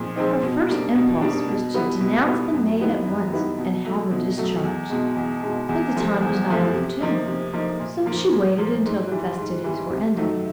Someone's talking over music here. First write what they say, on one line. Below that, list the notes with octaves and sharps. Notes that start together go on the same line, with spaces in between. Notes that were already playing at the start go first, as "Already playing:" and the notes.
Her first impulse was to denounce the maid at once, and have her discharged; but the time was not opportune, so she waited until the festivities were ended.
Already playing: A#2 F3 G#3 C4 D#4
F3 G#3 C4 D#4
B2
G3 A#3 D4
B2
G3 A#3 D4
B2
G3 B3 E4
B2
G3 B3 E4
F#2
D#3 G3 B3 E4
F#2
D#3 G3 B3 E4
B2
F#3 A3
B2
F#3 A3
E2
B2 G#3
E2
B2 G#3
E2
C3 F3 A3
E2
C3 F3 A3
C3
F3 A#3 D#4
C3
F3 A#3 D#4
A#2
F3 A#3
A#2
F3 A#3
G#2
E3 G3
G#2
E3 G3
C3
D#3 F#3 A3